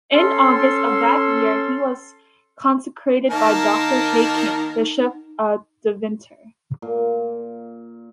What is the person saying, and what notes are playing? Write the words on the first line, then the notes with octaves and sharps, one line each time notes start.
In August of that year he was consecrated by Doctor Heykamp, bishop of Deventer.
C#4 A4 C6
D#3 A#3 D#4 A#4 A5
A#2